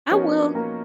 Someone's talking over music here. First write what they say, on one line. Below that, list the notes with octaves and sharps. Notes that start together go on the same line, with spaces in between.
I will
F3 B3 C#4 D#4 F#4 A#4 C#5
A#3 A#4